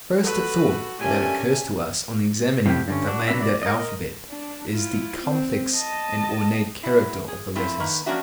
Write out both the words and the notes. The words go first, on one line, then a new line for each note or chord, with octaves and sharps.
The first thought that occurs to us on examining the Landa alphabet is the complex and ornate character of the letters.
F#4 A4 B4
A#2 C#4 D4 G4 E5 G#5
A2 C3 F3 E4 G4
G2 D3 C#4
D4 F#4
F#3 B3 D4 F#4 E5
D5
A#4 D#5
D4
E4 F4
C4
D#5 A5
F#3 E4
G#4
F3 A3 C4 E4
D#3 A#3 B4
F3 A#3 C#4 D4 F#4 E5